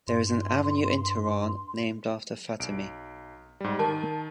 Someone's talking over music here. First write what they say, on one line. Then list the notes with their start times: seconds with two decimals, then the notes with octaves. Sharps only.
There is an avenue in Tehran named after Fatemi.
0.07 G2 C6
2.60 B1 D7
3.61 G#2 G3
3.79 D#3 A#4 A5